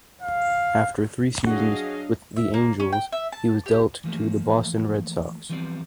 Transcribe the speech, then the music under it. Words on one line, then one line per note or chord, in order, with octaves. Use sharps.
After three seasons with the Angels, he was dealt to the Boston Red Sox.
F5
F#3 D4 F#4 G#4 D#5 F5
E5
A#3
C#4
G5
E5
A5
G4
E3 F3 A3 A#3
E3 F3 G3 B3 C4 D5